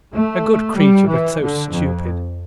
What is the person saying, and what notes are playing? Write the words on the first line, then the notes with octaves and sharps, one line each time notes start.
A good creature, but so stupid!
A3
G3
E3
D3
F2